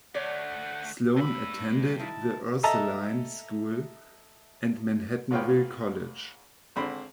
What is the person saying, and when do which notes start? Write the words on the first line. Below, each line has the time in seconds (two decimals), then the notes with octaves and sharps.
Sloan attended The Ursuline School and Manhattanville College.
0.15 D2 A3 C#5 D5 F#5
1.17 G2 B5 E6
1.99 D#3 E4 A5
2.63 A4 D#5 E5 A5 A#5
5.31 G#1 B3 F4 C#5 G5
6.76 G#1 D3 C4 B5